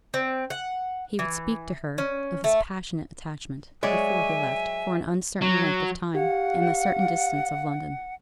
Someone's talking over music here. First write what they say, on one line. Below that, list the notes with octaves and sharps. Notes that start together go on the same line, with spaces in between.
He would speak to her of his passionate attachment, before he left, for an uncertain length of time, and the certain distance of London.
C4
F#5
E3
C#4
A3
F#3 G#3 C#5 D5 E5 G#5
F#3
G4 F5 F#5